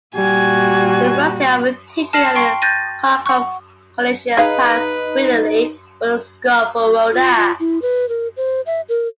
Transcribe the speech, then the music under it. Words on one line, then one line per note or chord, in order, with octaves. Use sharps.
The first year of teaching at Kharkov Collegium passed brilliantly for Skovoroda.
A#2 G3 F#4 G#5
A5 F6 A#6 C7 E7 F#7
G5 C6 C#6 C7
F#6 G6 A6 A#6 D#7
F#5 C#6
D#4 G#4 B4 F5
F4
F4
E4
B4
A#4
C5
E5
A#4